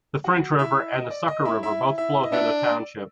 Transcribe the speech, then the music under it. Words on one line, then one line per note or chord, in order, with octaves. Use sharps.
The French River and the Sucker River both flow through the township.
F#4 F#5
E4 E5
D#5
D5
D#5
E4 E5
E4 E5
E4 E5
D#5
B3 D4 E4 E5
D5